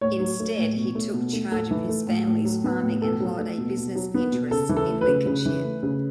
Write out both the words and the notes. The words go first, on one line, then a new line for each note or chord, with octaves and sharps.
Instead he took charge of his family's farming and holiday business interests in Lincolnshire.
A2 C#5
F#3
A3
A2
B2
A3
B2
A3
A2 A4
E3
A3
A2
A2
F#3
B3
A2
B2 A4
F#3
A3
B2
B2
F#3
B3
B2
C#3 A4
E3
A4
A3
B4
C#3
C#3
E3
A3
C#3